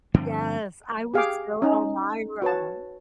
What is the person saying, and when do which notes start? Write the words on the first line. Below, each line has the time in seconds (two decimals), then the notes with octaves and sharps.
Yes, I was still Elmyra.
0.14 G2 D3 F3 C4
1.14 G4 G#4 F5 G5 G#5 D6
1.62 C#4 D#4 D#5
2.42 F#4 B4 C#5 A5